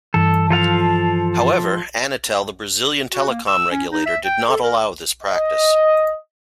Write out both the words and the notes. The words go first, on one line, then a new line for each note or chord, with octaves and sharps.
However, Anatel, the Brazilian telecom regulator, did not allow this practice.
G2 E3 A4
F3 A4 F5
F#4
A#3
E6
C#4
D#4
E5
G5
A4
A#4
D#5